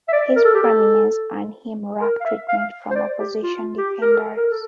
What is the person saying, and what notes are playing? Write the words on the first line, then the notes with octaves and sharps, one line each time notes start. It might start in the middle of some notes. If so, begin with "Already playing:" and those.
His prominence earned him rough treatment from opposition defenders.
E5
D5
A#4
A4
G4
A4
A#4
F5
E5
F5
C5
D5
G4
F4
G4
A#4
A4
A#4
A4